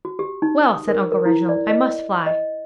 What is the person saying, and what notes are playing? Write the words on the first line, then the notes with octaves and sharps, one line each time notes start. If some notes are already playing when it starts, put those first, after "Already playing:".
'Well,' said Uncle Reginald, 'I must fly.
F#4
G4
D#4
D#6
A#4
A#4
E4
D5
D#5
D#5